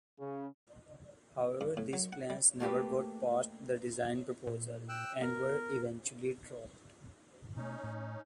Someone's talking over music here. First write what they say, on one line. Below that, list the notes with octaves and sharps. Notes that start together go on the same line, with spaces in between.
However these plans never got past the design proposal, and were eventually dropped.
C#3
G2
A2
F#3
F#5
G3
A3 A#3 G4 B4
A#2
G5 E6 F#6
B3 A#4
B2 A3 C#4 D#4
A2